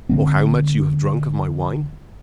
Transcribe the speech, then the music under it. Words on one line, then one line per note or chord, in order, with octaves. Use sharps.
"Or how much you have drank of my wine?"
D3 G#3 C4